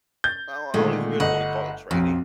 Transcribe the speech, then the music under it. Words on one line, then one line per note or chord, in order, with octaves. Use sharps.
I don't I don't even really wanna call it training,
G6 A6
A#2 D3 D#3 G#3 A3 F4
G1 D#5 F#5
B1 F2